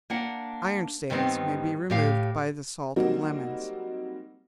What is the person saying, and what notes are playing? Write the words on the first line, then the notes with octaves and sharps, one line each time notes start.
Iron Stains may be removed by the salt of lemons.
A#3 D4 F#5
G2 D#3 G3 B3 C4
A2 G4 F5
F#3 G3 A#3 C4 D#4 F#4